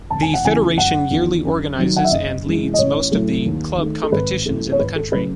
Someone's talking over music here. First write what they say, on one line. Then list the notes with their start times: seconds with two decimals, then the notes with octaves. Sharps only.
The Federation yearly organizes and leads most of the club competitions in the country.
0.10 E1 A5
0.22 G#5
0.34 F#5
0.44 E2 C#3 E3 A3 G#5
0.77 F#1 F#5
1.11 E2 D#3
1.45 F#2
1.78 D#3 F#3
1.97 F#5
2.04 E5
2.11 F#1 D#5
2.45 F#2 E3 G#3
2.74 D#5
2.78 A1 C#5
3.11 A2 F#3 A3
3.46 D#2
3.78 D#3 A3
4.03 A4
4.12 G#1 B4
4.46 F#2 E3 A3
4.72 C#5
4.79 G#1 B4
4.96 A4
5.12 C#3 F#3 A3 B4